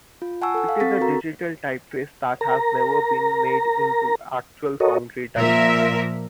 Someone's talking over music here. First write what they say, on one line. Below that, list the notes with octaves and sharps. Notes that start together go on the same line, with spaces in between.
It is a digital typeface that has never been made into actual foundry type.
F4
F#5 G#5 A5 C#6 E6
A4 F#5
F5
C4 A4 C#6 A6 B6
F#4 A#4 A#5
A#4 A#5
F#4 A4 A#4 C#5 D#5
A#2 F3 A#4 E5